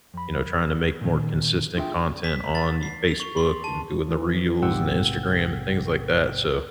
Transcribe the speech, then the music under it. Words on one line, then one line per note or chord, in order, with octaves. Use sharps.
you know, trying to make more consistent content on y Facebook and doing the reels and the Instagram and things, like, that, so,
F2 B5
A#2 D#3
D4 F4 G#4 E5 G5
B6
A6
C7
F7
C#6
C6
A5
E3
A#1 G#2 C3 F#5 G5 E6